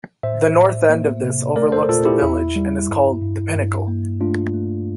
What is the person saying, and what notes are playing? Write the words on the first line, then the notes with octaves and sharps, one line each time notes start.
The North end of this overlooks the village and is called "the Pinnacle".
A2 C5 E5
A2
A#3
C3
A3 A#4 D5
A4 C5
A#2 F4 A4
E4 G4
E2 E4
G3
G2
G2
G2
A#3
A3 D4 F4
A3